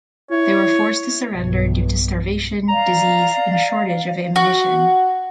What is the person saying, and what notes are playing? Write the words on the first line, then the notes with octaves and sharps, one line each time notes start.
They were forced to surrender due to starvation, disease and shortage of ammunition.
E4 C#5
B1 G2
D5 D#5 F5 A#5
F#4